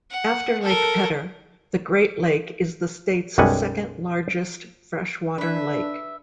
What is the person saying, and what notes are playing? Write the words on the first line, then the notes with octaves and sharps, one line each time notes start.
After Lake Pedder, the Great Lake is the state's second largest freshwater lake.
F#5
A4 A#4
B1 F#2 G3 G#3 F#5 G#5
D4 B4 E5